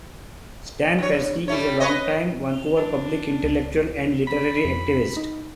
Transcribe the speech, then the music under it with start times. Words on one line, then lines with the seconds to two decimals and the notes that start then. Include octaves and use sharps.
Stan Persky is a long-time Vancouver public intellectual and literary activist.
0.99 G2 C#5
1.48 G3 A3 C#5
1.80 B4 C#5 D#5
2.78 D4
3.44 C#2
4.28 B5
4.65 F2
5.16 D#4